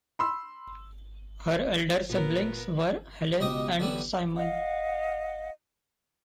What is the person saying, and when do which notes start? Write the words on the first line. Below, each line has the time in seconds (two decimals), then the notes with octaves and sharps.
Her elder siblings were Helen and Simon.
0.19 B5 C6 E6
2.09 A#2 B3 A#4
3.40 C#2 B2 G4 D#5 D#6
3.79 D3 E3 F#3 G3 B3
4.36 D#5 F5 F#5